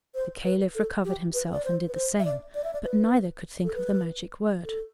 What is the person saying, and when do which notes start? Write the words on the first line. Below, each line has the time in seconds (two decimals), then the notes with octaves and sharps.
The Caliph recovered himself and did the same, but neither could think of the magic word.
0.15 C5
0.44 B4
0.75 A4
1.05 G4
1.34 B4
1.52 D5
1.64 C5
1.88 B4
1.94 C5
2.19 E5
2.25 D5
2.55 D5
2.64 E5
2.73 D5
2.85 B4
3.64 A4
3.75 B4
4.65 A4